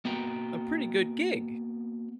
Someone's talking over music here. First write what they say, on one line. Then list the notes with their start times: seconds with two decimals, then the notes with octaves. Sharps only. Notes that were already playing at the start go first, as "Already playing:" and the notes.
a pretty good gig.
0.05 A#3 B3 F#4 G5 A#5